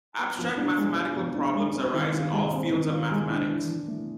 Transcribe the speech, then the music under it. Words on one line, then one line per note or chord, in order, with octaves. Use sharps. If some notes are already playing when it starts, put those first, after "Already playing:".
Abstract mathematical problems arise in all fields of mathematics.
B3
F3
D4
G#3
B3
F3
D4
G#3
C4
D#3
F4
G#3
C4
D#3
F4
G#3
D4
E3
E3
A3